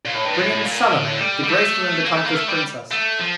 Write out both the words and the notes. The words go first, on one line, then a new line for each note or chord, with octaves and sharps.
Bring in Salome, the graceful and accomplished princess.
A#2
A2
G2
A2
A#2
D3
A3
G3
G3
A3
A#3
A3
A#3
A3
G3
A3
F3